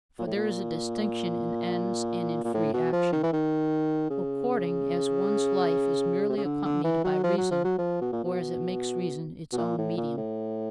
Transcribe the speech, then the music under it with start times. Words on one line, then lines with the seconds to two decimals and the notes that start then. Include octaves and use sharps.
For there is a distinction in ends and in free action, according as one's life is merely accompanied by reason or as it makes reason its own medium.
0.19 A#2
0.27 A2
0.36 A#2
2.44 A#2
2.54 A2
2.74 B2
2.92 F3
3.12 D#3
3.23 E3
3.33 D#3
4.10 C#3
6.29 C3
6.37 C#3
6.44 D3
6.65 D3
6.84 E3
7.04 F#3
7.23 F3
7.38 F#3
7.51 F3
7.64 F#3
7.78 F3
8.01 B2
8.13 A#2
8.24 B2
9.53 B2
9.58 A#2
9.78 A2
9.97 A#2
10.18 A2